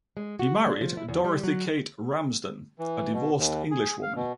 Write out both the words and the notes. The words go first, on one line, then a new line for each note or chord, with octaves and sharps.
He married Dorothy Kate Ramsden, a divorced Englishwoman.
G#3
F#4
G#3
D4
F3
E4
E2
G3
F#3
E3
B2
D#2
G#4
F5
B2